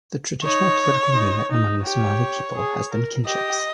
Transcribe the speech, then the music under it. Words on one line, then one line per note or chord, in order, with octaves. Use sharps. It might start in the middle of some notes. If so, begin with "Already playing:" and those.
The traditional political unit among the Somali people has been kinships.
D#4 C#5
D#4
D#4
G4 C#5
G#4
A#4
G4 D#5